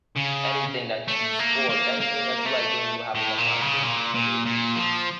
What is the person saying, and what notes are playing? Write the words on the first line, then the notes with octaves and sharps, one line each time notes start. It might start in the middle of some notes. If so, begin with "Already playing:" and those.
anything that's you sports, anything that you like doing, you will have enough time to do it just because you're able to be stable.
C#3
A3
A#3
A#3
A#3
A3
A2
A#2
C#3
A#2
A#2
A#2
F3